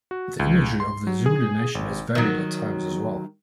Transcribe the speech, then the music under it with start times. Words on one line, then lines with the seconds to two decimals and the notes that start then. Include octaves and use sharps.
The imagery of the Zulu Nation has varied at times as well.
0.11 F#4
0.39 C#2
0.80 C6
1.07 F#3
1.26 G#4
1.75 G#1
2.15 D#3 F#3